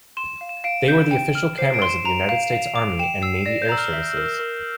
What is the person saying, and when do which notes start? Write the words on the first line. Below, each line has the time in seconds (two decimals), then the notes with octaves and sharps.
They were the official cameras of the United States Army and Navy Air Services.
0.17 C6 E7
0.41 F5
0.49 E7
0.64 F5 D7
0.88 G6
1.11 G5
1.35 F6
1.58 C5 C7
1.74 D7
1.82 C6
1.89 E7
2.05 A#5 F7
2.29 F5
2.52 F5
2.76 D6
2.99 G5 E7
3.22 E6 C7
3.46 D5 A#6
3.62 G6
3.69 A#5 E6
3.78 F6
3.93 E5
4.17 A#4
4.39 A#4